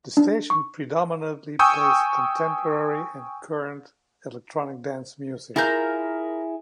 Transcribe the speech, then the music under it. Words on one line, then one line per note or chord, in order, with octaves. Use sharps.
The station predominantly plays contemporary and current electronic dance music.
D4
C#6
G5 G#5 C#6 D#6 E6 G6
E4 F4 G#4 A#4 G6